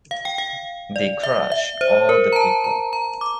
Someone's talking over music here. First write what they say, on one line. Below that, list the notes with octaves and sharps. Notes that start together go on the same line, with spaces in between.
They crushed all the people.
F5
G5
F5
D5
E5
E5
C5
A#4
A#5
A5
A#5
A#5
D6